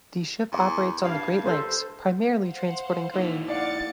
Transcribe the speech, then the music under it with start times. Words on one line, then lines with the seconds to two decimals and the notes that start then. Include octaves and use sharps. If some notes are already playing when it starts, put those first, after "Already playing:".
The ship operates on the Great Lakes primarily transporting grain.
0.52 E2
1.04 G2 F5
1.46 A4 C5
2.43 C5 F5 F#5
3.14 A#3 D#4 E4
3.48 D5 F5 F#5 D6 A6 C#7